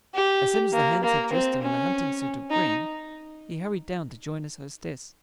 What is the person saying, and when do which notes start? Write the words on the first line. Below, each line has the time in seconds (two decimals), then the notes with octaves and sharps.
As soon as the hands had dressed him in a hunting-suit of green, he hurried down to join his hostess.
0.15 G4
0.73 A#3
1.03 A#3
1.33 C4
1.62 C#4
2.50 D#4